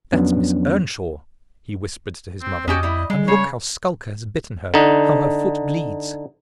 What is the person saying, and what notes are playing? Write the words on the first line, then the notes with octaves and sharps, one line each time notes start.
"That's Miss Earnshaw?" he whispered to his mother, "and look how Skulker has bitten her--how her foot bleeds!"
F2 F3 F#3 B3 C#4 D4
C4
F2 C#4 F#4 G4 D#5
G3 E4
G3 G#3
C#3 C#5
D3 D#4